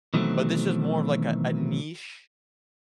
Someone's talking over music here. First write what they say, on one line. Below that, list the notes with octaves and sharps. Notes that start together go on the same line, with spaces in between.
but this was more of, like, a a niche
B2 D#3 E3 F#3 A3 C4